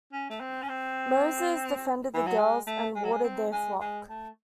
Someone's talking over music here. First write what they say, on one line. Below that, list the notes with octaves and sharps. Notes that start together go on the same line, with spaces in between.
Moses defended the girls and watered their flock.
C#4
A3
C4
C#4
C4
E3
F#3
G#3
A3
G#3
F#3
G#3
C4
G#3
G#3
A3